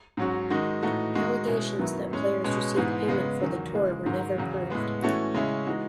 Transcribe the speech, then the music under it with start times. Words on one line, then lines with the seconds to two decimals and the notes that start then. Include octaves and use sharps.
Allegations that players received payment for the tour were never proved.
0.17 G#2 F#3 C#4 F#4
0.50 D#3 G#3 D#4 F#4
0.82 A2 E3 A3 D#4 F#4
1.15 D#3 G#3 D#4 F#4
1.47 B2 G#3 C#4 E4
1.79 F#2 D#3 F#3 B3 E4
2.11 A2 G#3 C#4
2.44 B2 G#3 C#4
2.76 G#2 E3 G#3 B3
3.08 C#3 G#3 B3
3.40 E2 D#3 F#3
3.73 C#3 E3 G#3
4.05 G#2 D#3 F#3
4.38 E2 C#3 F#3
4.70 A2 G#3 B3
5.02 E3 A3 C#4 F#4
5.34 C#3 G#3 C#4 E4
5.67 E3 G#3 D#4 F#4